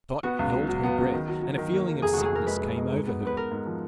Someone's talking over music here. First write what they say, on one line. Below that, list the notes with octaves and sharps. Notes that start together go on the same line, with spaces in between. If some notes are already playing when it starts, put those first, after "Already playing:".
Dot held her breath, and a feeling of sickness came over her.
B3 F#4
C#2
F#3
F#3
B3
C#2
D#3
F#3
F#3
D#3
A#3
A#3
F1 G#4
F1 F#4
G#4
F1 A#4
G#3 B4
G#3
G#3
G#2
B3
B3 B4
B3 A#4
G#2
F3